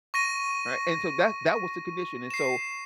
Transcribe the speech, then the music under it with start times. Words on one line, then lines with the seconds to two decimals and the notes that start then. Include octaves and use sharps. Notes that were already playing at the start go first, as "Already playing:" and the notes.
Right? And so that that was the condition. And so
0.14 C#6 A#6 D#7
2.30 C7 E7